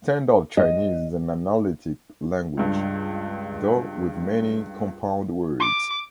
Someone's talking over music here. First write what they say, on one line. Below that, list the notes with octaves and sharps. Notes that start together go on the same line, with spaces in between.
Standard Chinese is an analytic language, though with many compound words.
D#5
C#2 G2
D6